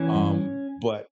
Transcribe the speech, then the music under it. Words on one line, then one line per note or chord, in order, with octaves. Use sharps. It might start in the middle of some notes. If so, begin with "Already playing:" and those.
Um, but
Already playing: E3 C#4
G2